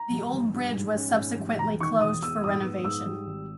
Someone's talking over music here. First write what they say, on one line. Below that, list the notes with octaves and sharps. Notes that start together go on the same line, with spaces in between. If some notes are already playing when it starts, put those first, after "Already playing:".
The old bridge was subsequently closed for renovation.
Already playing: A#5
G3
G1
G2
G#2
C#4
G#2
G3
E1 A#5
D#3 C#6
E1 D#6
E2 E6
G#2 D#6
B3
G#2 E6
G3
G#1